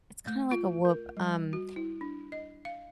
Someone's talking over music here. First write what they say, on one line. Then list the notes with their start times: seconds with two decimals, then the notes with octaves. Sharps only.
It's kinda like a Whoop. Um,
0.27 A3
0.51 F4
0.85 A#4
1.17 G3
1.53 F#4
1.76 E4
2.01 D4
2.32 D#5
2.65 F5